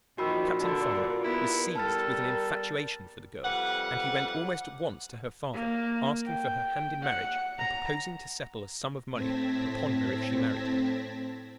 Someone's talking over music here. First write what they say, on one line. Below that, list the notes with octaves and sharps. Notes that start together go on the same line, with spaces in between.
Captain Farmer was seized with an infatuation for the girl, and he went almost at once to her father, asking for her hand in marriage and proposing to settle a sum of money upon her if she married him.
F#2 A#2 D#3 F3 F#4 B5 E6
G2 D3 F4 A#4
B3 E4
G3 A4 A#4 A5 F6 A6
F2 G3 B4 F#5
A#3
G5
F#5
A#5
A2 C4 A5 G#6 A#6 B6